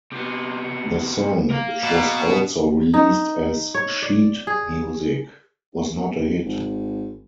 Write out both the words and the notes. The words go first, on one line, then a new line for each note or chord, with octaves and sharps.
The song, which was also released as sheet music, was not a hit.
C3 B3
A#4 F5
B2
D#4
C#5
D5
G#4
G#1